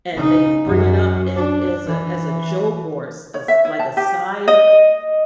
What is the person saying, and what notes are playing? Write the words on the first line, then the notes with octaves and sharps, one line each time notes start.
and they bring it up in as a as a joke or a s s like a side,
C#3 D#4
F#2 F#3
D4
E3
C#5
E5
E4
A5
G4
D#5